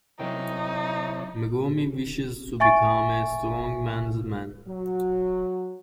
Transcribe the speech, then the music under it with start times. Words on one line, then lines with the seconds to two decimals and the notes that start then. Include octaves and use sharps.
Megumi wishes to become a strong man's man.
0.20 C3 F#3 D#4 E4 A#4 C#5 G5
2.60 E5 G#5 C#6 A6 D7
4.67 F#3